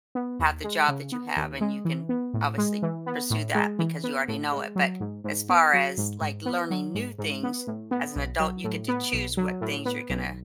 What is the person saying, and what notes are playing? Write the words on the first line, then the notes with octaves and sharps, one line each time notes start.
have the job that you have, and you can obviously pursue that because you already know it. But as far as, like, learning new things, as an adult, you get to choose what things you're gonna
B3
D#2
G#3
C#3
B3
D#2
G#3
E3
B3
A2
G#3
E3
B3
A2
G#3
E3
B3
A2
G#3
F#3
G#2
G#2
B3
F#3
G#2
G#2
B3
F#3
G#2
G#2
B3
A2
B3
B1
F#3
A2
B3
B1
F#3
A2
B3
B1